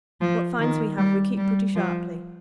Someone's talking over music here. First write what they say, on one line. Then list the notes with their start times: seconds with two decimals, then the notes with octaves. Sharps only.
What fines we have, we keep pretty sharply.
0.21 F3
0.60 D#3
0.98 G3
1.37 G3
1.76 F3